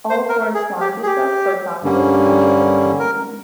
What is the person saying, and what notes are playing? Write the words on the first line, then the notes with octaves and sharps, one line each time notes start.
All four quadriceps are powerful extensors of the knee joint.
C5
A#4
G#4
G4
G#4
G4
G2 D3 G3 A#3 C#4
A#4